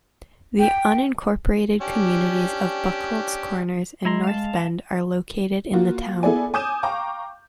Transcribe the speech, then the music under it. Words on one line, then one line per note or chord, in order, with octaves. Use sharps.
The unincorporated communities of Buckholz Corners and North Bend are located in the town.
G5
C#4 D4 G4
G#3 E4 A#5 C6
F5 A5
A#3 F4 F#4
B3 E4 G#4 A4 D5 G#5
G#5 D6 D#6 G6 D#7 E7
F5 G5 A#5 C#6 D6